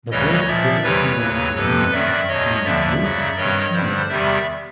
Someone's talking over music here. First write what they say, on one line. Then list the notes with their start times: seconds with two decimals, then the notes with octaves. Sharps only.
The word is derived from the Latin "minimum", meaning "least" or "smallest".
0.11 D2 C#3 E3 G3 C#5 D#5
0.47 A#2 F3 D5 E5
0.83 E2 C3 E3 G3 B4 C#5
1.19 D#2 C#3 F#3
1.55 F2 C3 F3 A4 B4
1.92 F#2 D#3 F#3 D5 E5
2.28 E2 B2 F#3 C#5 D#5
2.64 D#2 D3 F3 D5 E5
3.00 F#2 C#3 F#3
3.37 G2 D#3 G3 C#5 D#5
3.73 G2 D3 G3 C5 D5
4.09 E2 C3 D#3 G3 D5 E5